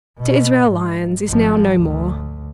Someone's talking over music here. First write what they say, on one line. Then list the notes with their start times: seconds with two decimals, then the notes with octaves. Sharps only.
Mr. Israel Lyons is now no more.
0.20 B2
0.67 G#2
1.26 G#1 F3
1.76 D2